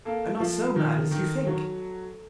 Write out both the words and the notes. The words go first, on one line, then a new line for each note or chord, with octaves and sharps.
I'm not so mad as you think.
A#3 A4
F3
D#3
D#3
F#3